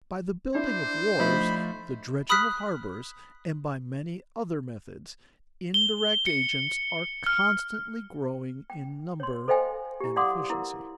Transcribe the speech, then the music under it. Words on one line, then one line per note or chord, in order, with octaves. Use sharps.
By the building of wharves, the dredging of harbors, and by many other methods, indirect agents are constantly growing in number and efficiency.
D4 E4 C5
F3 A3 D#4 B5
B5 D#6 F6 F#6 B6
G7
C#7
F6
G5
C#5 C6
A4 C5 D#5 F5 G5 G#5
E4 G4
D5 F5 F#5 C6 D6 D#6
E4 A#4